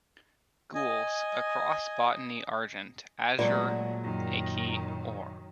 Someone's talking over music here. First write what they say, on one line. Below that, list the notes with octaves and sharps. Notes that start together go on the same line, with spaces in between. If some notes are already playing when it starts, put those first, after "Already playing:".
Gules, a Cross bottony Argent; Azure, a Key Or.
D#5 G#5
A#2 F#3 G#3 A3 F#4 D5
F#2 D#3